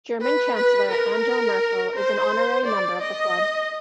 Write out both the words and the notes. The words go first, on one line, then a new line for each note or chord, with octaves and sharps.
German Chancellor Angela Merkel is an honorary member of the club.
B4
B4
A#4
C5
D5
D#5